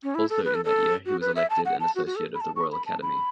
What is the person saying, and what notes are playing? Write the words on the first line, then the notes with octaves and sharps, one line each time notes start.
Also in that year he was elected an associate of the Royal Academy.
C#4
E4
A4
B4
A4
A4
F#4
B4
E5
A5
F#5
A5
F#4
F#4
A4
B5
A5
C#6
B5
A5
B5